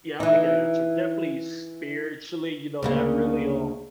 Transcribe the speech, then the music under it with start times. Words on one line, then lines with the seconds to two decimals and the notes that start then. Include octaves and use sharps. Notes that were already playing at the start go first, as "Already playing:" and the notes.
Yeah, I like that answer, definitely spiritually, you know, that really, um
0.20 E3 D#4
2.83 D2 C#3 A#3